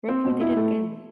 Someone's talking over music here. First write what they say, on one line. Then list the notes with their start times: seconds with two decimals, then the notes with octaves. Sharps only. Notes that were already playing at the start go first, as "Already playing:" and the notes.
Rocco Did It Again!
0.09 C4
0.25 B2
0.41 E4
0.57 A3